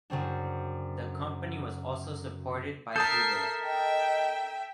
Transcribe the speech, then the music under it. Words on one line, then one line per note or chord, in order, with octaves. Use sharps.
The company was also supported by Uber.
F#2 C#3 C4 D4
A4 A#4 E5 A5 D#6 G6 C7
D#5 E5 G5